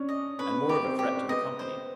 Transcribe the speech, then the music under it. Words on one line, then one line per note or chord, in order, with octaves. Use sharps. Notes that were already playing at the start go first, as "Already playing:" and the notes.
And more of a threat to the Company.
Already playing: C#4 D4
D#5
C#4 B4
G4
C4
G4
B3 D#5
C5